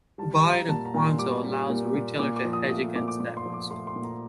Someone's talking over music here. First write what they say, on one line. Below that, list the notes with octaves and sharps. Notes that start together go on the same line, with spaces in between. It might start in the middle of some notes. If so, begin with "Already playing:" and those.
Buying a quanto allows the retailer to hedge against that risk.
G3 A5
A#5
G3
A#5
A#2 A5
A#5
A#2
C6
G3 D6
G3
A#2
A#2
A#2 D6
D6
F3
D#6
A3 D#6
A#2 D6
D6
A#2 D6
C6
F3
D6
A3 C6
C6
A#2
A#5